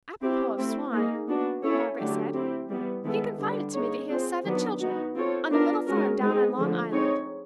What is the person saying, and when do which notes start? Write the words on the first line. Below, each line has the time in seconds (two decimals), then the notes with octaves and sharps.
"Apropos of Swann," Margaret said, "he confided to me that he has seven children--on a little farm down on Long Island."
0.22 C4 E4 G4
0.57 A3 C4 E4
0.93 A#3 D#4 G#4
1.27 B3 D4 F#4
1.63 C#4 E4 A4 C#5
1.98 D3 F#3 A3 D4 G4
2.34 C4 E4 G4
2.68 E3 G3 B3
3.04 D#3 G#3 B3 E4 A4
3.40 D3 G3 B3 D4
3.74 A#3 D#4 G#4 C#5
4.10 C4 F4 G#4 C5
4.44 D#3 F#3 B3 D4
4.81 B3 D#4 F#4
5.16 C4 F4 A4 C#5
5.51 B3 D4 F4 A#4
5.86 G#3 C#4 F#4 A#4
6.21 G#3 C4 D#4 G#4
6.56 D3 F3 A3
6.91 C4 D#4 G#4 C#5